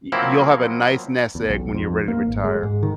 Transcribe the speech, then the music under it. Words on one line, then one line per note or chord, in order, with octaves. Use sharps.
y you'll have a nice nest egg when you're ready to retire.
F3 F#3 A#3 C4 E4
E2
B1
F2
A#3
G#1
G#3
G#2
D#3